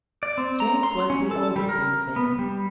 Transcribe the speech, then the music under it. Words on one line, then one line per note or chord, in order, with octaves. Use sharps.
James was the oldest in the family.
D5
C4
A#5
C6
C#4
A4
G3
A#4
B3
G3